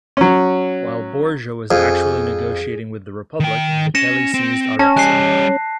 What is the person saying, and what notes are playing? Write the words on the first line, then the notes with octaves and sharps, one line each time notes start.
While Borgia was actually negotiating with the republic, Vitelli seized Arezzo.
F#3 C#4
F2 G#4
D#3 G5
C#4 A#6 C#7 E7
C4
C#4 A5
G3 D#5 F#6 C7